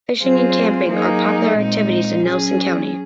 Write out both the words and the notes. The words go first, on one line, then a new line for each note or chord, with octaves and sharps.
Fishing and camping are popular activities in Nelson County.
F#3 C4 F4 G#4 C5
F#3 A#3 D#4 G#4
A#2 G#3 C4 D#4
F#3 C#4 G#4